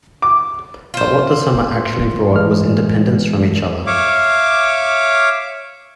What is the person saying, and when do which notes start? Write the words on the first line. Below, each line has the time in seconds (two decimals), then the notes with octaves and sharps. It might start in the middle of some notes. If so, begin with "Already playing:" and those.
But what the summer actually brought was independence from each other.
0.22 D6
0.94 F4 C5
2.32 E3 G#3 F6
3.87 C#5 E5 F5 D6